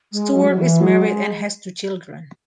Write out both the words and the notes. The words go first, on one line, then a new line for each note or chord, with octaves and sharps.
Stewart is married and has two children.
G#3
F#3
G#3
F#3
E3
F#3
G#3